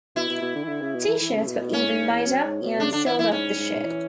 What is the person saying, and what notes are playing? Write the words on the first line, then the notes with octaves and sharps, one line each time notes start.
T-shirts were even made up and sold at the shows.
B2 E4
B2
B2
D3
E3
D3
C#3
B2
E3
E3
C#3
B2
B2
A2 C#4
G#2
E2
F#2
G#2
B2
C#3 D4
D3 D4
E3 E4
E3 E4
G#2 C#4
G#2
E3